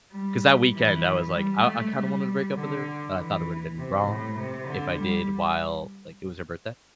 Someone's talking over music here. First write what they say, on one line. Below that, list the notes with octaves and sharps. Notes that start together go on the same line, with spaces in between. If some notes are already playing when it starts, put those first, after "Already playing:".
'cause that weekend, I was like, I I kinda wanted to break up with her, but I thought it would have been wrong if I did while, like, it was her birthday,
G3
E3
G3
A3
G3
D3
E3
C3
A2
C3
D3
G3